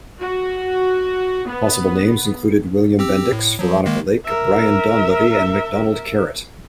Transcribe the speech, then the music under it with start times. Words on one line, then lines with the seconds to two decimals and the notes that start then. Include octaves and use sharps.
Possible names included William Bendix, Veronica Lake, Brian Donlevy, and MacDonald Caret.
0.20 F#4
1.48 B3
2.99 C4 G4 E6
3.32 A2
3.59 F3 F#3
3.86 D#3 G#3 A#3
4.25 A#4 E5